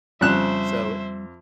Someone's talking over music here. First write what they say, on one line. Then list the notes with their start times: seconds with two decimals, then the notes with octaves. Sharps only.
So i
0.21 F2 C#3 G3 C5 E5 F#6 E7